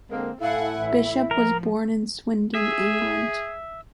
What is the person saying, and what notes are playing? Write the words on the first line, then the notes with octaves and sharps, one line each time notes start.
Bishop was born in Swindon, England.
D3 G#3 A#3 C4
A2 E4 A4 F5 F#5 G#5
A1 E5
F3 A#4
G#4 E5